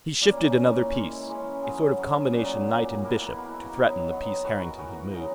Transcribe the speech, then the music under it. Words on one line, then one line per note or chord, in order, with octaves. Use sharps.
He shifted another piece, a sort of combination knight and bishop, to threaten the piece Harrington had moved.
A#2 A#3 C#4 E4
A#2 A#3 C#4 E4
E3 G#3 C#4
E3 G#3 C#4
F#3 C#4 G#4
F#3 C#4 G#4
A#2 F#3 A#3
A#2 F#3 A#3
B2 A#3 E4 B4
B2 A#3 E4 B4
D#3 F#3 B3
D#3 F#3 B3
E3 B3 F#4 A#4
E3 B3 F#4 A#4
C#3 F#3 B3 D#4